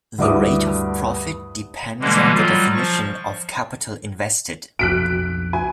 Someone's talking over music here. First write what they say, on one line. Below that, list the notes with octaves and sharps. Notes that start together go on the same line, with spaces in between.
The rate of profit depends on the definition of "capital invested".
D2 G2 E4 E5 D6 D#6
B2 D3 E3 G3 G#3 A#3
F#3 G3 F4
F3 C#6
B1 F2 F#6 B6 D7
G#5